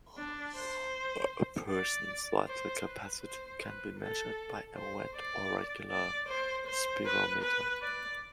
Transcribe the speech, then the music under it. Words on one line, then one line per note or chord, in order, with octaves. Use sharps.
A person's vital capacity can be measured by a wet or regular spirometer.
D4
C5
D5
C5
B4
C5
B4
A4
C5
D5
D5
C5
C5
B4
B4
D5